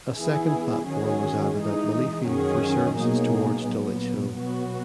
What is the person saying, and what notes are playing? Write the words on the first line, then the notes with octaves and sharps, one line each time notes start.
A second platform was added at Lilyfield for services towards Dulwich Hill.
E3 B3 E4 G#4
D#3 F#3 C#4 G#4
E3 G#3 D#4
F#2 D#3 F#3 C#4 G#4
B2 F#3 A#3 D#4 G#4
A#2 F#3 B3
B2 F#3 B3 F#4